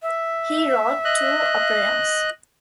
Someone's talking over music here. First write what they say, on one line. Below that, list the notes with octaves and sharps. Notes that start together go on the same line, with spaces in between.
He wrote two operas.
E5
D#5 F#6